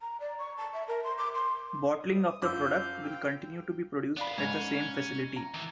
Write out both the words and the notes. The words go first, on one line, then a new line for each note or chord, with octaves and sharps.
The bottling of the product will continue to be produced at the same facility.
A#5
D5
C#6
A5
E5
A#4
C6
D6
C6
D#6
F#2 F3 F5 D6 E6 G6
G5
B3 D5 F5 B5
G#2 C#4
A#5
D#3 E3